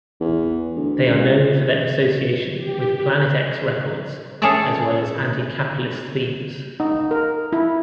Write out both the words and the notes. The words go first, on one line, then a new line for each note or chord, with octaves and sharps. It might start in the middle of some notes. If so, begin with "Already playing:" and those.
They are known for their association with Plan-It-X Records, as well as anti-capitalist themes.
E2
D2
C#2
G4
C#4 G#4 A4 C#5 D5 E5
D#4
A#4
E4